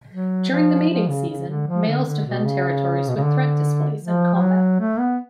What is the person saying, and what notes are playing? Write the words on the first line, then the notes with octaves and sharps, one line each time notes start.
During the mating season, males defend territories with threat displays and combat.
F#3
F3
F3
C#3
C#3
D3
F3
D3
D3
B2
C#3
B2
C#3
D3
F3
F3
F#3
A3
B3